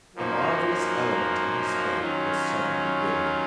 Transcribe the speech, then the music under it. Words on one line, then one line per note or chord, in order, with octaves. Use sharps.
The marvellous element in his fate was suddenly vivid.
F#2 F3 A#3 D#4 F#4
D#3 F#3 C#4 F4